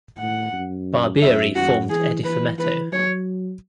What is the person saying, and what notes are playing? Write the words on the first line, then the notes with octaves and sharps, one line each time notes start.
Barbieri formed Edifumetto.
A2 F#5
F#2
F#2 E5
F#2 F#4
E3 G#4
E3 B4
E3 B4
F#3 C#5